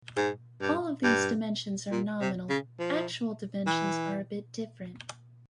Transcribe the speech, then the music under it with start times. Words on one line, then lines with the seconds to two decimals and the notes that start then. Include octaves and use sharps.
All of these dimensions are nominal; actual dimensions are a bit different.
0.16 G#2
0.61 G2
1.04 G2
1.92 A#2
2.20 C3
2.49 C#3
2.79 F3
3.66 E3